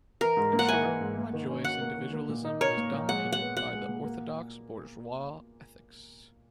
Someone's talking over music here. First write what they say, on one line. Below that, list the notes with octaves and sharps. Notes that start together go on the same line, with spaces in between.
In short, my joyous individualism was dominated by the orthodox bourgeois ethics.
E3 A#4
G#2
A#3
F#5
E4 G#5
E3
G#2
A#3
D#3
C#4
F#4 F#5
A#3
D#3
A#3
A#2
D#4
A#4 C#5
A#3
A#2
G#3 F#5
A#2
F#5
B3
F#4 F#5
G#3
A#2
A#3